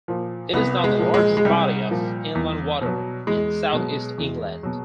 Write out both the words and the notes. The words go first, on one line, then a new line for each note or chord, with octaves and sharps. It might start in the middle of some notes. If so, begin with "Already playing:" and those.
It is now the largest body of inland water in south east England.
A#2 F3
C2 B3
G#3
A#2 F3
G#3
G#3
C2 G3
A#2 F3
E2
B2 F#3
E2 G#3
B2 F#3
E2
B2 F#3